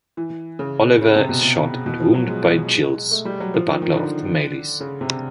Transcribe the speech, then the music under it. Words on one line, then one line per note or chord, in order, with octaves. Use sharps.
Oliver is shot and wounded by Giles, the butler of the Maylies.
E3
C#3
C#3
C3
B2
C3
B2
F3
F#3
G#3
A3
G3
F#3
F3
D#3
D#3
D3
C#3
C3